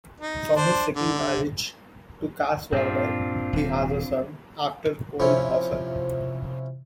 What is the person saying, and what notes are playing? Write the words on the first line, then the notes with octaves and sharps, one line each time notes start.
From his second marriage, to Cass Warner, he has a son, actor Cole Hauser.
D#4
D4 C5
D3
G2 A#2 C4 D4 F4
D#1 C3
C3 F3 C#4 E4